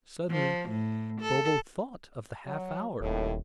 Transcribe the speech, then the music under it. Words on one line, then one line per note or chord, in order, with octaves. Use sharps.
Suddenly Bobo thought of the half-hour.
F3
A2
A4
F#3
D#1 D#2 A2